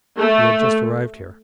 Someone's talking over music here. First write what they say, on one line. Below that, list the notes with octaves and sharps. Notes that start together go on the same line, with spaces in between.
We had just arrived here.
A3